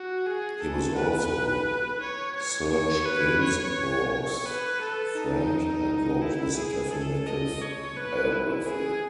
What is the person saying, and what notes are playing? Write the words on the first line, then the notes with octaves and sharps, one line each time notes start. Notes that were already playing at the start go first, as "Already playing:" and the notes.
He was also Serge Gainsbourg's friend and wrote his definitive biography.
Already playing: F#4
G#4
A4
B4
B4
C#5
C#5
C#5
B4
C#5
C#5
B4
A4
D#4
E4
G#4
A4
D#5
C#5
B4
E4
G#4